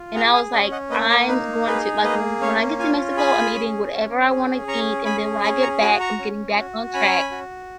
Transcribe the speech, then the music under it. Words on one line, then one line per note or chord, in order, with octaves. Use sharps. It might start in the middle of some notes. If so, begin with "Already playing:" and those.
and I was like, "I'm going to, like, when I get to Mexico, I'm eating whatever I wanna eat, and then when I get back, I'm getting back on track."
Already playing: F4
G#4 F#5 A#5
F5 G#5
C#4 D#5 F#5
D#5 F#5
A#3 B4 D#5
A#4 C#5
D#4 B4
G#4 B4
A#3 B4 D#5
C#4 C#5 F5
F4 F5 G#5
G#4 G#5 B5
C#4
C#4
G#4
C#4 A#5 C#6
G#4 G#5 B5
C#4 G#5 B5
A#5 C#6
F#4 G#5 B5
A#5 C#6
C#4
F#4
C#4 G#5 B5
F#4